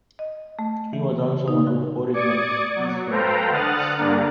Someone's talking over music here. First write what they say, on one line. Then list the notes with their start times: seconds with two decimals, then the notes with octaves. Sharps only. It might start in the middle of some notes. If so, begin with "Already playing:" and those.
He was also one of the original Keystone Kops.
0.19 D#5
0.59 A3
0.93 E3
1.19 C#3
1.48 D#4
1.67 F#4
2.14 D5 D6 D#6 G#6 C#7
2.76 F#3
3.10 A4 B4 C5 F5 G5 A#5
3.51 D3 F#5 D#6 F6 F#6 A6
3.97 G2 D3 G3 A#3 D4 A#4